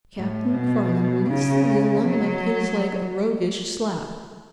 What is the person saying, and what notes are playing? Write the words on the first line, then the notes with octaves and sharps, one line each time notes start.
Captain MacFarland released the wheel long enough to give his leg a roguish slap.
A2
B2
C#3
F#3